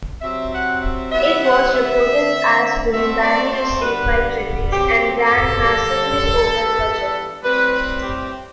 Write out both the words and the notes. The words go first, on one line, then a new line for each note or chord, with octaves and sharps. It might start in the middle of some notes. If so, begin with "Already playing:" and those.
It was reported as being badly received by critics and ran massively over budget.
C3 F#3 C4 E5
F#5
E5
C3 E3 G3 B3 E5
F#5
E5
D3 A3 C4
B2 A3 C4 E5
D5
C5
D3 G3 B3 B4
C3 F#3 C4 G4
A4
G2 D3 G3
G2 E3 B3
A2 G3 C4 B4
B4
G4